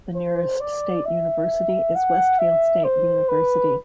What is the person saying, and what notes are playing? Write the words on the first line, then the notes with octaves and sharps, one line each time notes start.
The nearest state university is Westfield State University.
C5
D5
E5
F#5
E5
C5
B4